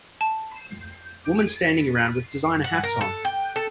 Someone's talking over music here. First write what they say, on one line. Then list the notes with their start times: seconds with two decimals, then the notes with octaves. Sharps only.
Woman standing around with designer hats on.
0.21 A5
2.64 F#5
2.84 A#4
3.01 A4
3.25 G5
3.56 A4